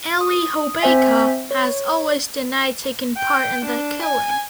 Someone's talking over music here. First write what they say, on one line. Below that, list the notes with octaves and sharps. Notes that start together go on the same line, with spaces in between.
Elie Hobeika has always denied taking part in the killing.
D#6
C4 C5 E5 G#5 B6
C#5
G5
D4
G#5